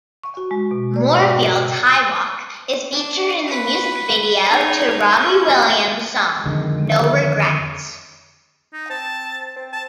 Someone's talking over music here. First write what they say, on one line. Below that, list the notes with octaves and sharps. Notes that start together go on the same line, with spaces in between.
Moorfields Highwalk is featured in the music video to Robbie Williams' song "No Regrets".
C#6
F#4
G#3
B2
D5
G#2
F#4
C3
D4
B4 F#5
D#4 G#4
C#4
F2 D3 D#3 G#3
D#4
C4 A5
C4
A5